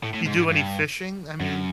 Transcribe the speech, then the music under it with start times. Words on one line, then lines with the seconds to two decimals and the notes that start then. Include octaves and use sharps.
you do any fishing? I mean
0.03 A2
0.14 A2
0.26 G#2
0.37 G#2
0.50 G2
1.41 F#2